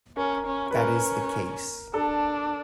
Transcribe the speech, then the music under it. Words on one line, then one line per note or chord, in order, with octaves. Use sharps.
That is the case.
C#4 A#4
C#4
B4
C#4 A#4
D4 A4